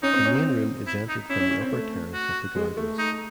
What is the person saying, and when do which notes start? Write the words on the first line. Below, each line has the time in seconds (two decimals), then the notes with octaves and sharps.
The main room is entered from the upper terrace of the gardens.
0.03 C#4 D#4
0.14 C4
0.25 C#4
0.35 C4
0.87 E4
1.08 D#4
1.30 C#4 E4
1.40 C#4
1.51 C#4
1.61 C4
1.72 A3
2.13 F#4
2.56 G#3
2.77 A3
2.98 D#4